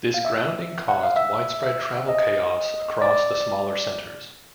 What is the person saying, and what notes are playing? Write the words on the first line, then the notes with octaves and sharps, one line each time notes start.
This grounding caused widespread travel chaos across the smaller centres.
F5
E5
F#5
F5
E5
E5
D#5
D5